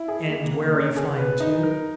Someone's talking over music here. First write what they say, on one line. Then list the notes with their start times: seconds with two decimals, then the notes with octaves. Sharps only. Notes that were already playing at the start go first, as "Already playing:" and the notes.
"And where are you flying to?"
Already playing: E4
0.08 G#4
0.29 A#3
0.52 A#3
0.74 C#4
0.97 G#4
1.18 B4
1.40 D#4
1.63 A#4